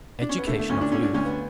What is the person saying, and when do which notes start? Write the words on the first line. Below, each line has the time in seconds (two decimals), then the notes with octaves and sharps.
Education of Youth.
0.22 D4
0.29 C#4
0.38 B3
0.47 D3 A3
0.59 A3
0.69 D2 C#4
0.81 D4
0.92 D3 C#4
1.03 D4
1.14 D2 C#4
1.25 B3